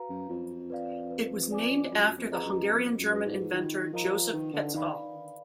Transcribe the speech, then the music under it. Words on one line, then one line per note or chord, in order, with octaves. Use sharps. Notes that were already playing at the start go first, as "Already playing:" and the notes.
It was namer after the Hungarian-German inventor Joseph Petzval.
Already playing: F#4 B4 F5 A#5
F#2
F2 F4
B4 D5 F5
B4
D5 G#5 D6
F#2 F4
F2
G#4 B4 D#5 A#5
F#2
F2 F4
F#2
G#4 B4
G#2
D#3 F4
F3 A#4 D#5 A#5
D#3 B4
D3
D#3 D5 F5 B5